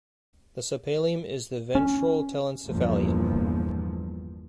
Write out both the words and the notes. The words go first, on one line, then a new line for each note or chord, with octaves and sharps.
The subpallium is the ventral telencephalon.
C#4
G1 E2 A#2 F3